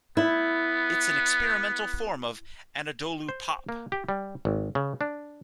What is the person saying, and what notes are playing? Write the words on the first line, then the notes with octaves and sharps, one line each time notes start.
It's an experimental form of "Anadolu Pop".
B3 E4
C5
A#3
G4
G3
G#1
C#3
D4